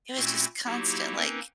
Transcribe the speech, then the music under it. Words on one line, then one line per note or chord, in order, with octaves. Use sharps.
It was just constant, like,
A#2 A3 C4 C#4 E4 F#4
F#3 A#3 D#4 E4 F#4 G4
A#3 C4 C#4 D#4 A#4 B4